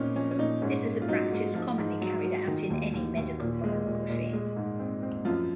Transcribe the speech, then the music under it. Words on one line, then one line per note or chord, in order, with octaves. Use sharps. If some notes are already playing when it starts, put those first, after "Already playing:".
This is a practice commonly carried out in any medical biography.
Already playing: A#2 A#3 C4 C#4 D#4
F3 C#4
C#4
A#2 D#4
G#2 C#4
A#3
F4
F#3 D#4
G#2
G#2 F3 F4
G#2
F#3
F#3
D#3
D#2
D#2
D#2
A#2
G#3
A#2
A#2
G#3
G#2
C4
C4
F#2 F3 F4